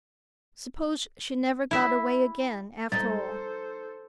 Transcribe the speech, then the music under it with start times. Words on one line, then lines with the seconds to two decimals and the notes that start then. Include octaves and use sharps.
Suppose she never got away again, after all?
1.71 E4 E5
2.92 D#4 A4 C5 A6